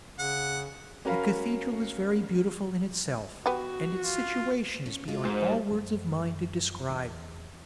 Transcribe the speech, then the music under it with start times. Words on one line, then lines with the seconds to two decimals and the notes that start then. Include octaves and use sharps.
The cathedral is very beautiful in itself, and its situation is beyond all words of mine to describe.
0.19 C#3 F#5
1.05 C#4 F#4 A#4 F5 B5
3.46 B3 F#4 G4
4.04 F4
4.86 C#4
5.08 G#3 F4 F#4
5.25 G#2 C5
5.47 G3 A#3
5.71 F#2
6.90 E2